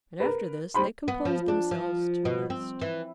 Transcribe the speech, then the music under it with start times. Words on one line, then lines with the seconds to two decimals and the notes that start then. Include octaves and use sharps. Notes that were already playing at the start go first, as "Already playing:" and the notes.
And after this they composed themselves to rest.
0.20 A#4 B4
0.74 G3 C5 B5 C6
1.08 B3
1.25 F3
1.48 D4
1.71 F3
2.25 B2
2.50 C4
2.81 E3